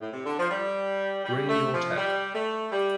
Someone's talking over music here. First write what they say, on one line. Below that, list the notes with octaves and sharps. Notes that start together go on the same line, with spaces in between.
Bring your tech.
A2
C3
D3
F3
G3
G3
A3
F3
G3
A3
G3